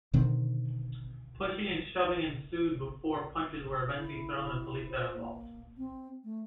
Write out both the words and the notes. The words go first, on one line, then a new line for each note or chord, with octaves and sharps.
Pushing and shoving ensued, before punches were eventually thrown and police got involved.
B2 D3 D#3 C4
E4
C5
A#3
C4
A3